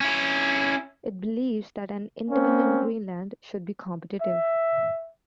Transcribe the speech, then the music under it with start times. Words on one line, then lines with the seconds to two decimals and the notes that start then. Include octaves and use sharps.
It believes that an independent Greenland should be competitive.
0.01 C#4 E4
2.30 A#3 C4 C#4
4.21 E5